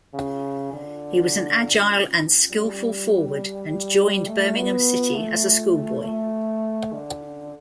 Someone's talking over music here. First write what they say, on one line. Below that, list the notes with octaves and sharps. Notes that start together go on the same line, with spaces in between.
He was an agile and skilful forward and joined Birmingham City as a schoolboy.
C#3
D3
G3
G3
A3
B3
A3
A3
D3